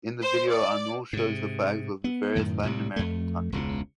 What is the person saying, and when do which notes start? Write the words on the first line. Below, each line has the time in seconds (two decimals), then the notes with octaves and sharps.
In the video Anuel shows the flags of the various Latin American countries.
0.22 C5
0.51 D5
1.13 G#2 C3
2.04 B3
2.36 F#2 A2 D#3
2.63 C2 A2 C3 G3
2.96 F2 A3
3.52 E1 C#2 C#3